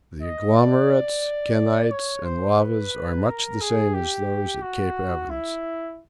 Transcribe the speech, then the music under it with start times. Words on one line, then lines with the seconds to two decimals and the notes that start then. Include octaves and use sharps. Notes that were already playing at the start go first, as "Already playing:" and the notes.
The agglomerates, kenytes, and lavas are much the same as those at Cape Evans.
0.22 D#5
0.56 D5
1.91 C#5
2.25 C5
2.59 B4
3.26 A#4
3.61 G#4
3.94 G4
4.62 F#4
5.30 E4